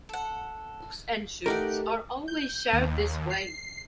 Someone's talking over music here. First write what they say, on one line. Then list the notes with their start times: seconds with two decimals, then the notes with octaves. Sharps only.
Books and shoes are also shared this way.
0.09 A4 F#5
1.46 A3 D#4 G4 A#4 D5 F#5
2.28 G6
2.73 D#2
3.30 C7